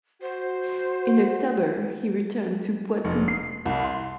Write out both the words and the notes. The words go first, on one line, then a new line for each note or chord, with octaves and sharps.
In October he returned to Poitou.
F#4 C5
F1
C7
C2
C6